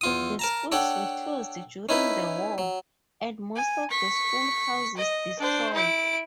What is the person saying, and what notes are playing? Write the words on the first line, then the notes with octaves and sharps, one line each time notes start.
The schools were closed during the war and most of the school houses destroyed.
E2 F4 D#6
A#4 A5 A#5
D4 A4 C#5 F#5 G5
C#4 D#4 E4 B4
F#3
G#5
C#6 B6
D#5
D4 C5
E4 D7